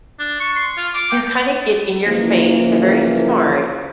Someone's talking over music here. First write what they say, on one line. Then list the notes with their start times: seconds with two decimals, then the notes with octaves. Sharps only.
to kinda get in your face- they're very smart-
0.19 D4
0.40 C#6
0.55 C6
0.77 F4
0.94 D6
1.12 G5
2.05 F#1 E3 F3 A#3